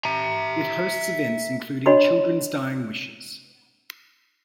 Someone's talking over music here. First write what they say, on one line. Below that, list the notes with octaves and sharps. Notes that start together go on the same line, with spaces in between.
It hosts events including children's dying wishes.
E5 A#5
D4 F#4 C#5 D#5 B5 C6